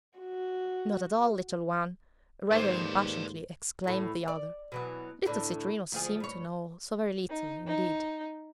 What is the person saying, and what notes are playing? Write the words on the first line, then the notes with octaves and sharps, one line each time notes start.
"Not at all, little one," rather impatiently exclaimed the other. Little Citrinus seemed to know so very little, indeed.
F#4
D#2 G#2 A3 A#3 B4 C5 D5
E2 A2
D5
B2 E3 F#3
D2 A2 D4
D2 F3 G#4
G2 C#5
D#4
D#4